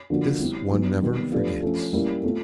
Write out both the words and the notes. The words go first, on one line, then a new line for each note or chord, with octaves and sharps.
"This one never forgets!"
D3 F3 A#3 D4 F#4
G3 C4 E4
F#3 B3 D#4
C3 D#3 G3 B3
F3 A3 D4 G4 B4
F3 A3 C#4
G3 A#3 C#4 E4
A3 C4 F4